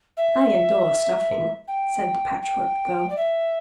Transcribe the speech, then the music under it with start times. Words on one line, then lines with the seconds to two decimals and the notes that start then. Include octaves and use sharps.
"I adore stuffing," said the Patchwork Girl.
0.17 E5
1.68 G5
2.42 G5
3.09 D5
3.17 E5